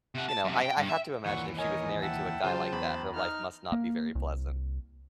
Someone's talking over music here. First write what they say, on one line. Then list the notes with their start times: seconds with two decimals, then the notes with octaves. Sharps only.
you know, I I have to imagine if she was married to a guy like that, her life must not be very pleasant.
0.15 C3 F#5
0.29 A5
0.44 F#2 C3
0.62 G5
0.77 G2
0.89 E5
1.26 D#2 A#2 E3 F#5 C#6
1.58 A#4 C#5 D#5 G#5
2.02 E5 F#5 G5 A5
2.44 C#3 F#3 F4 C5 A5
2.73 E2 B5
3.15 D#4 F6
3.72 A#3
4.15 C2